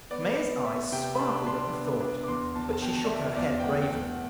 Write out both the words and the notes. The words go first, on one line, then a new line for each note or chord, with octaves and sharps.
Maia's eyes sparkled at the thought, but she shook her head bravely.
B3 D5
B3
B3 E5
C3 G5
B5
D4 A5
D4 C6
B3
D4
D6
E2 C6
E2 A5
A5
B2 G5
D5
B2 E5
E2 D5
G5
A3 F#5
G5
E2 F#5